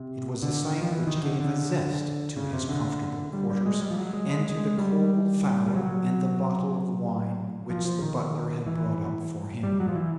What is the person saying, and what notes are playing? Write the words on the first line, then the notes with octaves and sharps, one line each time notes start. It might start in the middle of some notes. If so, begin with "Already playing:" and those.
It was a sight which gave a zest to his comfortable quarters, and to the cold fowl and the bottle of wine which the butler had brought up for him.
Already playing: C3
D3
F3
E3
D#3
D3
D3
C#3
C3
D3
G3
G3
G#3
G3
F3
F#3
G#3
G#3
G#3
G3
G3
F#3
F3
F3
D#3
E3
G3
F#3
F3
E3